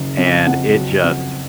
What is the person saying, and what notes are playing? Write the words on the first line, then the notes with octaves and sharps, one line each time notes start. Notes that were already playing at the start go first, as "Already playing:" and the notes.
and it just
Already playing: F#1 C#3
F2
F2 F#5
F#3
F2